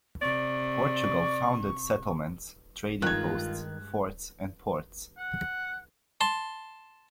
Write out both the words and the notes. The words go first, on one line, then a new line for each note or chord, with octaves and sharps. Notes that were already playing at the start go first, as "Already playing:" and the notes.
Portugal founded settlements, trading posts, forts and ports.
C3 D5 C#6
G2 D#3 G#3 F4 F#6 G#6
F#5
A5 C6